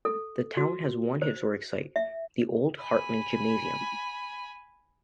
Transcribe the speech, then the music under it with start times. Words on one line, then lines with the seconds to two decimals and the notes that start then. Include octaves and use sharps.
The town has one historic site, the old Hartman Gymnasium.
0.05 A4
0.57 F#4
1.22 C5
1.96 E5
2.81 G#5 B5